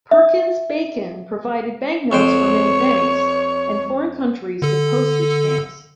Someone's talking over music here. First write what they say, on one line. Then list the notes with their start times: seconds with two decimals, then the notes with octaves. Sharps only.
Perkins Bacon provided banknotes for many banks, and foreign countries with postage stamps.
0.11 E5
2.12 F2 C5 C#5 G5
4.62 D3 A4